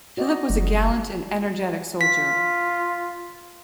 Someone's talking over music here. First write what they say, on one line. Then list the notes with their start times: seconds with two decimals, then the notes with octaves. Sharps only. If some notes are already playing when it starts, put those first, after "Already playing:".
Philip was a gallant and energetic soldier.
0.17 F#4 D5 D#5
0.49 F#1 G3
2.01 F4 B6